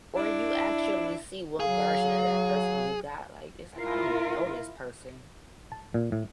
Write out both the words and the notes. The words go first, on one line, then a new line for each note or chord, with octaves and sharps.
Or, you actually see what version of that person you got, like, it's, like "I don't even know this person."
D4 E4
F#3 G#4 F5
E4 F4 A#4
A5
A#2
A2